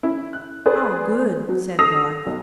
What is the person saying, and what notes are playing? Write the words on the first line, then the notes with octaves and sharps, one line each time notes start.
"Ah, good!" said Garth.
C#4 E4
F#6
G#4 B4 C5 D5
F#3
A4 D#6 E6 A#6 C7 F7
B1